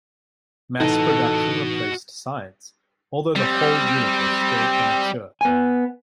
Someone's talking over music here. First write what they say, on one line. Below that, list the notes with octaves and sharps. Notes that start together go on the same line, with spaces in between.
Mass production replaced science, although the whole unit was still immature.
A2 E3 D#4 F#4 A4 D#5
G3 C4
B3 G#5